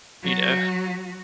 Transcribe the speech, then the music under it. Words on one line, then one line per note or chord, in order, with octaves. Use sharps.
you know?
F#3 F#4